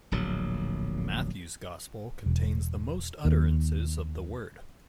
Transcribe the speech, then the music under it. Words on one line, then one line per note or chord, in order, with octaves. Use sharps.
Matthew's gospel contains the most utterances of the word.
D1 A#1 A#2 F#3
E1
D#2